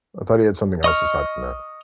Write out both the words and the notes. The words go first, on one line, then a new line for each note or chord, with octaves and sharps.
I thought he had something else aside from that.
D#5 C#6 F6